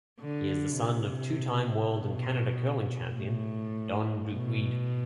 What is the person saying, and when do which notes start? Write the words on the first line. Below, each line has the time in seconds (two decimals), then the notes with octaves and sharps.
He is the son of two time world and Canada curling champion Don Duguid.
0.20 D3
0.79 C3
1.97 B2
3.14 A2
4.32 B2